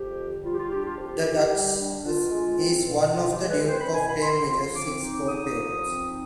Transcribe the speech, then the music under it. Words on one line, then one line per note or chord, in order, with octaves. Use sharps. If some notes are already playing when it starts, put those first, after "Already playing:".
The Duchess is one of the Duke of Cambridge's six godparents.
Already playing: F2 G4
D3
G3 F4
G4
F4
D4 G4
F4
F2 G4
D3
G3
D4
B2 F4
G#3
C4
B2
B2 F4
G4
G#3
B4
C4 C5
B5
B2 G#5
B5
D3 C6
F3
C4 D6
D#4
D3 D#6
F3
C4
D#4